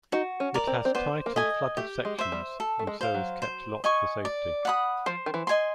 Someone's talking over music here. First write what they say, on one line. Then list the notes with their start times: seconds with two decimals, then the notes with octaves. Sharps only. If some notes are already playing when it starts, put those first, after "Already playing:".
It has tight and flooded sections, and so is kept locked for safety.
0.12 D#4 F#4
0.40 C#4
0.54 A#4 D5
0.67 C4
0.85 C4
0.95 B3 C5
1.26 A#3
1.36 A3 D#5 G#5
1.77 A3 G4
2.05 G#3
2.19 C5 E5
2.32 G3
2.60 A4
2.79 A3
2.87 G#3
3.01 C5 F5
3.14 F#3
3.42 C5
3.84 D#5 G#5 C#6
4.25 D5
4.65 F#5 B5 D#6
5.06 F3 C5
5.26 D#3
5.34 E3
5.47 D#5 G#5 C6